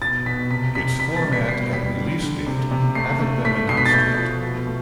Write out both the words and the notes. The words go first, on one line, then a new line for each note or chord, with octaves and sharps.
Its format and release date haven't been announced yet.
B2 A6
B2 B6
C3 B6
C3 B6
B2 B6
A6
G3
B6
B2 C7
G3 B6
D3
D3
C3
C3
A3 C7
A3
A3 B6
B2 C7
B6
A6
A3 G6
F3
B2
A3